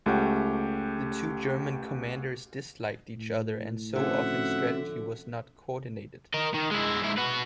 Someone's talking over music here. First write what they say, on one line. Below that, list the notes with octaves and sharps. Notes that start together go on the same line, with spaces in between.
The two German commanders disliked each other, and so often strategy was not coordinated.
C#2 A3 C#4 G4 F#5 G6
A2
D3 F3 C4 C#4 E4 F#4 E5 F#5
A#4 D#5
D#3
G#3 E4
G#2 E4
F#4 B4